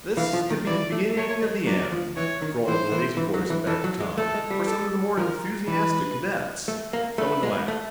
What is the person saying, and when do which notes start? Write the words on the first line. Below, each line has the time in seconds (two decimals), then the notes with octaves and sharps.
"This could be the beginning of the end," drawled a lazy voice in back of Tom, "for some of the more enthusiastic cadets." Someone laughed.
0.17 E3 F5
0.33 F3
0.50 D#3
0.67 E3 D5
0.92 A3
1.17 A3 C#5
1.42 G#3
1.67 F#3 D5
1.92 F3
2.17 E3 C#5
2.42 D#3
2.67 E3 C5
2.92 E3
3.17 E3
3.34 F#3
3.50 E3
3.67 E3 A4
3.84 F#3
4.00 G#3
4.18 A3 A4
4.34 G#3
4.51 G3
4.67 A4
5.17 F3 A#4
5.67 E3 B4
6.68 A3
6.93 A#3
7.18 A3 B4
7.43 G#3
7.68 A3